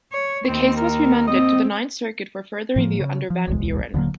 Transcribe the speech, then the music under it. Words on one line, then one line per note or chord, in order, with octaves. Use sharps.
The case was remanded to the Ninth Circuit for further review under "Van Buren".
C#5
D#2 C4
A#4
C4 D#5
A2 F3 A#3
C#3
F3
D1 B1 E2 G#3
D#1 D3 F#3 A#3